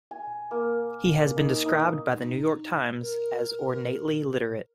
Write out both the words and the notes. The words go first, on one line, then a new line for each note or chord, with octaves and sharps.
He has been described by The New York Times as ornately literate.
G#5
A#3
D#4
D#4
D#4
A#4